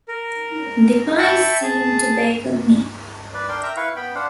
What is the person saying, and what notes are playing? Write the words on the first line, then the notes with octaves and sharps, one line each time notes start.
The pie seemed to beckon me.
A#4
E5 G5 A5 B5 C#6
G#4 A5
B4 D5
D4 A#4 G5 C6
A#4 E5 G5 A#5
E4 B4 F5 C#6
B3 G5 B5
D4 C5 F5 F#5